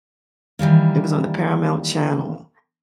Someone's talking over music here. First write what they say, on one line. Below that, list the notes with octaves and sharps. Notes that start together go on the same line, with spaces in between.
It was on the Paramount Channel,
D#3 E3 G3 A#3